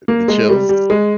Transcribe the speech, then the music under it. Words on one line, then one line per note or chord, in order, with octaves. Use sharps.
Uh, the chills?
A#3
G#3
G3
G3
G#3